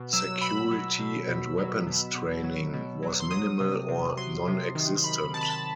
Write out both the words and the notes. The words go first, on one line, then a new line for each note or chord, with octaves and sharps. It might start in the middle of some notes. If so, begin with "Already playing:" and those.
Security and weapons training was minimal or nonexistent.
Already playing: B2
F#3 E6
B2 B5
F#3
B2
B2
F#3
B2
B2
F#3
B2
F#3
C6
F#3 D#6
C3
C3
F#3 C6
C3
D#3
D#3 B5
D#3 A5
B5
A5